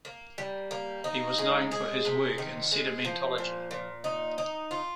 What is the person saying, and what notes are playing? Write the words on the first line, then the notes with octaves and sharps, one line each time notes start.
He was known for his work in sedimentology.
A#3
G3
A#3
D#4
G#3
G#4
C3
D#3
G#3
F3
A#2
A#2
D#4
D#4
F4